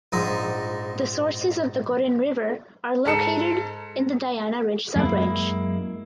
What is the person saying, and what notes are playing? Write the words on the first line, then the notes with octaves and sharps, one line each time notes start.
The sources of the Gorin River are located in the Dayana Ridge subrange.
A#1 G#2 D#4
G#2 A4 C#7 E7
F#2 G#3 A#3 E4